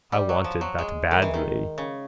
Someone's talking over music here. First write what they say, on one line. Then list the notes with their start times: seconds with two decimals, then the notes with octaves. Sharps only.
I wanted that badly.
0.12 G3
0.29 F#3
0.44 F3
0.61 F#3
0.78 G#3
1.11 D#3
1.22 E3
1.34 D#3
1.78 C#3